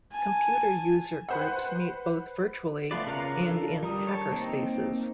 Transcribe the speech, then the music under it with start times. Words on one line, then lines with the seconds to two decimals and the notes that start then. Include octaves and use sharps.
Computer user groups meet both virtually and in hackerspaces.
0.12 G#5 A5
1.29 B4 C5 F#5
2.91 A3 B3 F4 B4 D5
3.07 C#3 A#4 F5 A#5 F#6
3.39 D4 F4 A4 A#4
3.83 G3 A#4 D#6
4.07 C#5 A5
4.31 A#3 C4 D#4